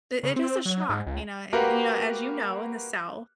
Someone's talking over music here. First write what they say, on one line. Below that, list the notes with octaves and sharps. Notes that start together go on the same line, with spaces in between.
it is a shock, you know, an and, you know, as you know, in the South,
C#3
C4
F#3
G#2
C#2
A#3 F#4 G4 A#4 B4 F5